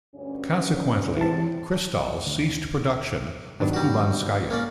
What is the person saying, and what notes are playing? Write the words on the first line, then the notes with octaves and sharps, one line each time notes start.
Consequently, Kristall ceased production of Kubanskaya.
D2 G2 C#4
E2 A2 C3 E3 A5
D2
G2 D#3 F#3 B3 D4
G3 F#4
A#3 C#4 D5